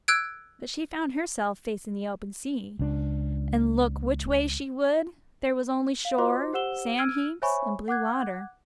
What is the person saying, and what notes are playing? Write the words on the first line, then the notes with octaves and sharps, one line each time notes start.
But she found herself facing the open sea, and look which way she would there was only shore, sand heaps and blue water.
E6 F#6 G#6 D7
C#2 D4
F5
F4 F#4 C5 D#5 C6 D6
G4 C5 F#5 E6 E7 G7
E6 F6 G#6 D7 D#7
C5 C#5 E5 G#5 B5 C#6
F#5 D6 F#6 G#6